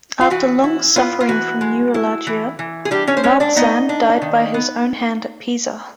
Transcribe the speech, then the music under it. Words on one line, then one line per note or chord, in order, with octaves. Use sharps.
After long suffering from neuralgia, Maltzan died by his own hand at Pisa.
F4
E3 F#4
E4
B3 F4
F4
E3 F#4
G#3
E4
E3
E3
G#4
G3 D4 G4
C#4 C#5
C5
G#3 C#4 C#5
D4 D5
B3 D#4 D#5
D4
D#3
B3